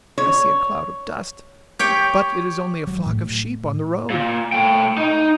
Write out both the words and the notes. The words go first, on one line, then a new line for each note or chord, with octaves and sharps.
"I see a cloud of dust, but it is only a flock of sheep on the road."
C#5
G4 C#5 G5
F#3
A2
A#2
A3 G5
D#4